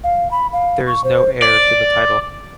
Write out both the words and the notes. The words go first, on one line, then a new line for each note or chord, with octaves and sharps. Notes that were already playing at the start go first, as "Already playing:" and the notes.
There is no heir to the title.
F5
B5
F5
C#6
C5
D5